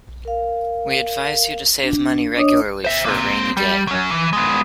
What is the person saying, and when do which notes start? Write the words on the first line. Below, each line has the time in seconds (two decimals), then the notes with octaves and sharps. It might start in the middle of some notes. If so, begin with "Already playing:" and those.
We advise you to save money regularly for a rainy day.
0.25 A#4 F5
1.83 D4
2.37 D4 C#5 D#5 D#6
2.84 C5 E5
3.05 A#3 C4
3.57 G3
3.87 F#3 C#4
4.11 E3
4.33 G#3 B3